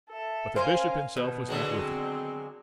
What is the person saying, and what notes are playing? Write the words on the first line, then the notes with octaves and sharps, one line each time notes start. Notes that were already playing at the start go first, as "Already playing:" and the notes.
But the Bishop himself was not with them.
A4 E5
C#4 A#4 C5 F5 G#5
B2 D#3 B3
D3 F#3 G#3
C4